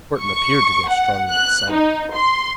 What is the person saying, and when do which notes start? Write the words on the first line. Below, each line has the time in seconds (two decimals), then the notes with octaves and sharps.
Burton appeared to grow strongly excited.
0.21 C#6
0.89 F#5
1.29 F#6
1.73 D#4
2.14 C6